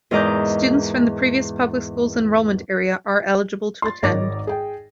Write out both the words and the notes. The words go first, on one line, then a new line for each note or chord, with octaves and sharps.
Students from the previous public school's enrollment area are eligible to attend.
E2 G#2 A#4 D#5 D6 G6
C6 A6
G#1 G#2 D#3 C#5 D6 A#6
G#4 G5